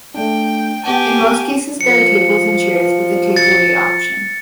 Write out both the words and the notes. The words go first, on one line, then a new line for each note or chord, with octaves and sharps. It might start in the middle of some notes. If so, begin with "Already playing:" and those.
In most cases there are tables and chairs with a take-away option.
A3 D4 G5
B3 G4 G#5 A5
F3 C#7
A6 C#7